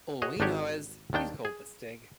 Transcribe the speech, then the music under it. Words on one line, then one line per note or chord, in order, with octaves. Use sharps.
All we know is, he's called the Stig.
F#4 G#4 C#5 D#5
G#1 D4 D#4 F#4 G4 C#5
D#2 D#3 D4 G5
G#4